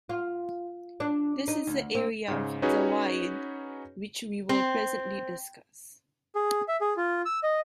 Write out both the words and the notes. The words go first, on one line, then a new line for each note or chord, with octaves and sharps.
This is the area of Zawa'id which we will presently discuss.
F4
D4
D#4
D2
C4
G#2 C#3
C#4 D#4 F#4 G#4 B4 C#5
C4
G#4
E5
G#4
F4
E6
D#5